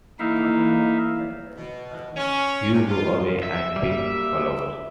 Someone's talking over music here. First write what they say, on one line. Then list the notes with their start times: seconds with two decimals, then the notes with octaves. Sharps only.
You go away and pick flowers.
0.19 E3 A3 A#3 D#4 E4 E5 F5
1.56 B2
2.17 C#4
2.72 C3
2.89 F4
3.43 E5
3.76 G3 A#3